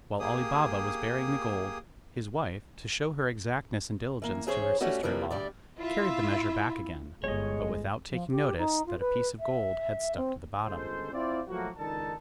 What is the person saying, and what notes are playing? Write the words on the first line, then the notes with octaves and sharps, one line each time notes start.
While Ali Baba was burying the gold, his wife, to show her exactness and diligence to her sister-in-law, carried the measure back again, but without taking notice that a piece of gold had stuck to the bottom.
A#3 G4 G#4 D#6
E3 A#3
E3 C#4 G#4 C5 C#5
G3 A3 C#4 F#4
C3 E3 F3 G3 A#3
D2 G3 D5
E4 F4 E5
G1 G#3 C#5 D#5
F3
G4
D#4
F4
B4
E5
C4
G1 C#2 G#3 A4 C5
C4 E4 F4 C5 D5
F3 F#3 A3 A#3 F#4
C#2 D#3 D4 D#4 A4 A5